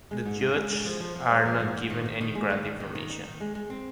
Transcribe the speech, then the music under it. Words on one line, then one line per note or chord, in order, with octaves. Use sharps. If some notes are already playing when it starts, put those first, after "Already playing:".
The judges are not given any brand information.
G#3
G#2
G#3
G#3
G#3
F3
F3
F3
G#3
F3
G#2
G#2
D#3
D#3
D#3
G#3
D#3
D#3
D#3
D#3
D#4
D#3
G#3
G#3
C4